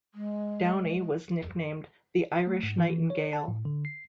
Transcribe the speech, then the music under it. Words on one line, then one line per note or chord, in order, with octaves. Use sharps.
Downey was nicknamed "The Irish Nightingale".
G#3
A3
G#2
E3
C#5
A5
A2
D3
C7